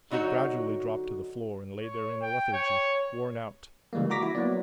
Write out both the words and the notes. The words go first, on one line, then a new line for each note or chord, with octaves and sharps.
He had gradually dropped to the floor, and lay there in a lethargy, worn out.
D3 F#3 D#4 F#4 C#5
C#5
G5
C#5
C#3 E3 G3 G#3 A#3
F#4 A#5 D6 A#6 B6
E4
F#3 A#3 B3 D5